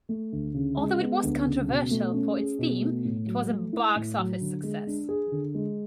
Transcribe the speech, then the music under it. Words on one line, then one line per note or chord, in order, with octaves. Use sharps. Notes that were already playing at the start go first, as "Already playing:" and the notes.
Although it was controversial for its theme, it was a box-office success.
A3
D2
C#3
G#3
B3
D2
C#3
B2
A3
C#4
G#4
B2
A3
A2
F#3
A3
E4
A2
F#3
D3
G#3
D4
G#4
D3
G#3